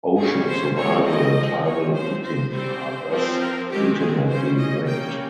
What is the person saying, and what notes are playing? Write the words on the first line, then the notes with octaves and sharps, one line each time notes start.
Ocean survival and tidal heating are thus intimately linked.
G3 A#3 C#4 G#4
C5
F3 G#3 C4 C#5
D#5
F3 G#3 C4
C#5
F3 C4 C5
C5
G3 C4 C5
F3 C4
A#4
D#3 G#3 C4 G4
G#4
G3 C#4 C5
D#5
G3 A#3 C#4 G5